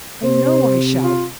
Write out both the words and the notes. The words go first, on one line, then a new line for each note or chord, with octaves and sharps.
I know I shall!
C3 C5
F4